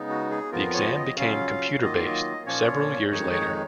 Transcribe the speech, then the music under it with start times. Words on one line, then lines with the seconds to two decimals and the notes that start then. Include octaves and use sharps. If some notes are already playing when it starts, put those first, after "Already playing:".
The exam became computer based several years later.
Already playing: C#3 G#3 B3 D#4
0.09 F#4
0.31 G#4
0.52 F2 F3 B3 F4 A#4
0.74 C#5
0.95 D#5
1.17 C#3 F#3 C#4 F4 F5
1.49 F5
1.81 D#3 F#3 A#3 F4 D#5
1.94 F5
2.06 D#5
2.46 A#2 F3 A#3 C#4 F4 C#5
3.11 F2 D#3 G#3 D#4 C#5
3.33 C#5